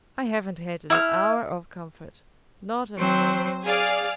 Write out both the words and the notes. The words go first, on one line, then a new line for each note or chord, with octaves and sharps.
I haven't had an hour of comfort;--not an hour.
E4 E6 F6
F#3 C4 C5
G#4 D5 F5 F6